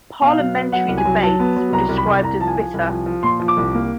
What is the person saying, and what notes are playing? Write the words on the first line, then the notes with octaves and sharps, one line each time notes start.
Parliamentary debates were described as 'bitter'.
B2 F5
F#3
B3
F#3 F#5
C2
G#5
F#3
F#3 A5
B3
F#3
C2 A#5
C2
B5
C2
C2 A#5
F3 A5
G#5
F3
C2
F3
F3
A#2 C6
F3
D6
C2
A#3